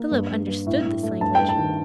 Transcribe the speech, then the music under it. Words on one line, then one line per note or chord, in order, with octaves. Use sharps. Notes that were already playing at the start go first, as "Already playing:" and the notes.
Philip understood this language.
Already playing: A#3
G2
G2
G2
A2
A2
A3
G2 A5
G2 G5
A5
D#3